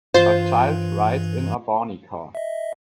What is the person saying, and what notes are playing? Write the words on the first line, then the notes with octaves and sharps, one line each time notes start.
A child rides in a Barney car.
G2 E3 F4 C5
D#5 E5